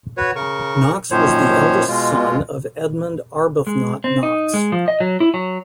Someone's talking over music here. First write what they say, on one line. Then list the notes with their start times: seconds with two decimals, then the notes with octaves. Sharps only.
Knox was the eldest son of Edmund Arbuthnott Knox.
0.17 F#4 B4 C#5
0.36 C#3 A#4 C#6
1.11 F#2 A#2 D#3 F3 C5 C#5
1.88 B2 G#3 F4
3.67 G#3
4.04 C4
4.23 D#4
4.54 G#3
4.72 F3
4.88 D#5
5.00 F#3
5.20 E4
5.34 F#3